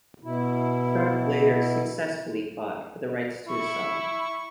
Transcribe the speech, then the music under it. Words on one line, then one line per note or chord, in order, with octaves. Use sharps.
Sharp later successfully fought for the rights to his song.
B2 E4
E4 C#6